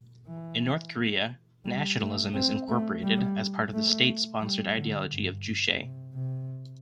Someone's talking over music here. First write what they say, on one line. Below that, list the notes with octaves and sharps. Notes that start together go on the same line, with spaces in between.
In North Korea, nationalism is incorporated as part of the state-sponsored ideology of Juche.
E3
G3
A3
C4
A3
G3
A3
G3
D3
G2
C3
C3